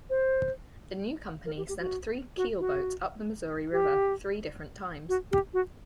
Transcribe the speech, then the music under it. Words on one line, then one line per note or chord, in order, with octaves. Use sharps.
The new company sent three keelboats up the Missouri River, three different times.
C5
A#4
G4
G4
F#4
F#4
F#4
G4
F#4
G4
F#4